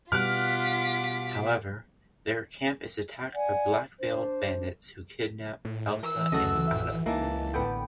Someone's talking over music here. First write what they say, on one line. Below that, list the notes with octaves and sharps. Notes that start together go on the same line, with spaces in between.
However, their camp is attacked by black-veiled bandits who kidnap Elsa and Ada.
B2 G3 F4 F#5 D6 F6 F#6 B6
D5 F#5 G#5
D4 C5
A2
E3 A#4 E6
D2 C#3 F#3 F#4 A4 D#5
A1 E5
C#2 E3 A#3 D#4 A5
A1 D3 B3 B4 G5